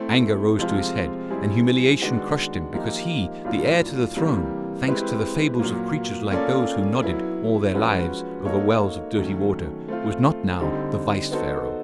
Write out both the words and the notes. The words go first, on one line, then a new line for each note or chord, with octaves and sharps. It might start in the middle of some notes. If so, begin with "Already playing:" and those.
Anger rose to his head, and humiliation crushed him because he, the heir to the throne, thanks to the fables of creatures like those who nodded all their lives over wells of dirty water, was not now the vice-pharaoh.
Already playing: A3 C4 E4
C3 F3 G#3 C4 F4
G3 C4 E4 G#4
D#3 G#3 B3 D4 F#4
F3 A#3 D#4 G4
A2 F#3 A#3 D4 F4
C3 E3 G3 A#3
G#3 C4 E4 G4 B4
A#2 F#3 A#3
A#3 C#4 F4 A4 D5
F#3 B3 E4
F3 G#3 C#4 F#4 B4
A#3 D#4 F#4 A4 C#5
D#3 F#3 A3 C#4
A3 C4 F4
D3 G3 C4 D#4 G4
B3 D#4 F#4 A4 C5